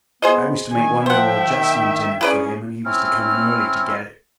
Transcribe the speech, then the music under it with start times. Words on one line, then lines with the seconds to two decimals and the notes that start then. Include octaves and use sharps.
I was to make one little adjustment in it for him, and he was to come in early to get it.
0.22 B3 G#4 C5 D#5
0.72 D#3 G#5
1.06 F3 C5 E5 F#5 G5
1.46 D#3
2.21 C#4 E4 G#4 B4 D5
2.85 C4 C#4 E4 F6